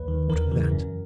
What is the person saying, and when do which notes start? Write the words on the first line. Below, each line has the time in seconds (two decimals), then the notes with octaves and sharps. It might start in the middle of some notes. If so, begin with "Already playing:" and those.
What of that?
Already playing: D#2 B4
0.08 D#3
0.30 E2 A#4
0.51 C#3 E3
0.72 F#2